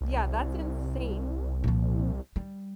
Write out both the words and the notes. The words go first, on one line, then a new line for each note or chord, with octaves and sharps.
Yeah. That's insane.
C2
A#2 F3
G3